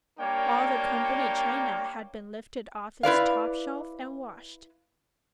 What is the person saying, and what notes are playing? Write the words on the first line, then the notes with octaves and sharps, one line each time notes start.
All the company china had been lifted off its top shelf and washed.
G3 A#3 D4 A#4 C#5 G5
E4 B4 D5 F5